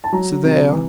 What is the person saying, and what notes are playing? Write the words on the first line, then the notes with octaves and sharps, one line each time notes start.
So there.
A5
F#3 A#5
C3
E3